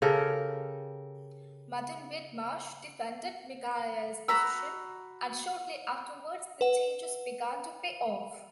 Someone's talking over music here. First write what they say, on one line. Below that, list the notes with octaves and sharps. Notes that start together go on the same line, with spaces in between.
Martin Whitmarsh defended Michael's position, and shortly afterwards the changes began to pay off.
C#3 G4 A4 A#4
F#4 A#5 B5 E6
B4 F#5